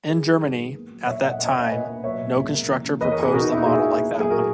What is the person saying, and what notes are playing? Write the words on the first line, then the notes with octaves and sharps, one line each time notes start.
In Germany. at that time, no constructor proposed a model like that one.
F#3 G#4 B4
D#3
G#2
B3
A#3
F#3
B2 C#5 E5
B2 D#5 F#5
B2 D#5 F#5
C#5 E5
A#3 D#5 F#5
E5 G#5
B2 B4 D#5
A#3
F#3 C#5 E5
B2
C#2
A#3
E3
C#3
E2 B4 D#5
A#4 C#5
E2
G#4 B4
B2 F#4 A#4
D#4
A#3 E4
D#4 F#4
B2 E4 G#4
A#3
B3
F#3
G#4
A#2 F#4 A#4